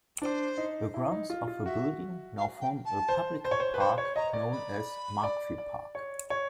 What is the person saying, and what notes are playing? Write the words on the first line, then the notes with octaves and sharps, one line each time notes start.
The grounds of the building now form a public park known as Markfield Park.
D4 C5
D#4
E4
D#4
F4
F4
F#4 E5
F5
G5
A5
C5
C5
C#5
C5
B4
C5 B5
C#5
D#5 A#5
D5
B5
D5
D5
C#5
C#5